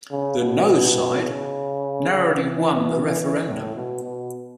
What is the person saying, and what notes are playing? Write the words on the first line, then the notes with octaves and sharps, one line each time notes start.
The "No" side narrowly won the referendum.
C#3
B2
C#3
E3
A2
B2
B2